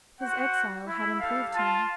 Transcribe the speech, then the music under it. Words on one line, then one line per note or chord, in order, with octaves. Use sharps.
His exile had improved him.
F#4 C5 F#5
E4
G3 A4 F5
F4 A5